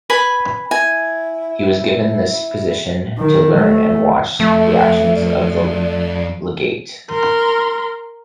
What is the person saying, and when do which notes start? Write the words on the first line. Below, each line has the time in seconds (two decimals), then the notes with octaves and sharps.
He was given this position to learn and watch the actions of the legate.
0.10 B4 G#5 B5
0.71 E4 G#5
3.18 D#3
3.58 A3
4.40 F2 A3 E5
5.15 D5
7.11 A#4 C6